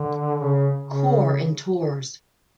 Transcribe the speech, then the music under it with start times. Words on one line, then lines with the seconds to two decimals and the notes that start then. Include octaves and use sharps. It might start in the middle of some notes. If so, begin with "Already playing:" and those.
Corps in Tours.
Already playing: D3
0.42 C#3
0.88 C#3